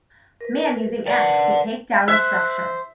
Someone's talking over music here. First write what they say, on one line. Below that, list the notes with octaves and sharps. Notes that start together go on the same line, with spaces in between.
Man using ax to take down a structure.
A#4 B4
D5 F#5
C5 E5 F#6